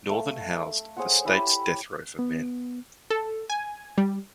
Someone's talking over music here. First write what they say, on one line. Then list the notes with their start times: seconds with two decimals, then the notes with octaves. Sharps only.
Northern housed the state's death row for men.
0.09 A3 F5
0.97 G#4 C5 C#5 F#5
1.25 E4 G4 B5 E6
2.19 B3
3.10 A4
3.50 G#5
3.98 G3